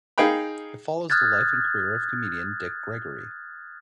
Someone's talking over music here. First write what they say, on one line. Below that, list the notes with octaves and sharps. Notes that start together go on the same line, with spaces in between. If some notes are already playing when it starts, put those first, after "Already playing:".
It follows the life and career of comedian Dick Gregory.
D#4 G#4 F5 G5 B5
D#6 F6 F#6 G#6 A6